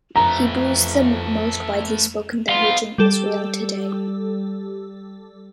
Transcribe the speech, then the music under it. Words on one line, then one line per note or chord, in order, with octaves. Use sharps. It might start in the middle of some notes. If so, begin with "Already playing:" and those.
Hebrew is the most widely spoken language in Israel today.
F2 A3 B4 A#5
B3 D#4 F5 C6
G3 G4 A4